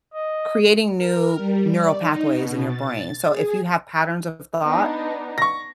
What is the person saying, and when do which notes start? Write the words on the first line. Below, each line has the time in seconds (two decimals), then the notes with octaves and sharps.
creating new neural pathways in your brain, so if you have patterns of thought,
0.13 D#5
0.97 A#4
1.37 G3
1.70 D5
2.00 D#4
2.30 B2
2.64 A6
3.28 G#4
4.63 B3 D4 D#4
5.38 C#6 A#6